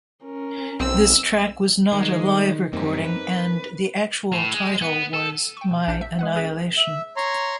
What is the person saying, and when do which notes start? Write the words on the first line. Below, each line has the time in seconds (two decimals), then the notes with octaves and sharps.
This track was not a live recording, and the actual title was My Annihilation.
0.24 C#4 A#4
0.80 B1 C4 E6
1.93 D#3 G#3 D#4
2.73 F#2 G3 A#3 C4 D#4
3.05 B4
4.32 A2
4.54 G#3
4.81 B3
5.13 A4
5.57 G5 C#6
5.71 B2
5.88 A#1 D4 F5 G6
6.01 E5
6.19 G#3 B4 F#5
6.35 C#4 G#4 B4
6.77 E5
7.16 C#5 A#5 C6